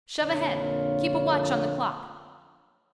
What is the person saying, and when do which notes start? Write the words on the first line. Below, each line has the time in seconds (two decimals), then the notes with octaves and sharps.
Shove ahead. Keep a watch on the clock.
0.22 A#1 F2 D3 A#3 F4 C#5